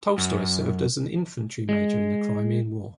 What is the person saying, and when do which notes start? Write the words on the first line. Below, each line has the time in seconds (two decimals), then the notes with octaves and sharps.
Tolstoy served as an infantry major in the Crimean War.
0.18 F#2
1.69 G#3